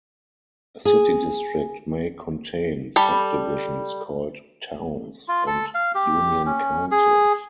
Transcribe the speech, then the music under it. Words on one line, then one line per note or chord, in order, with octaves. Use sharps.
A city district may contain subdivisions called "Towns" and "Union Councils".
G#4
G3 A4 B5
F4
A4
F5
G4
C#4
G#4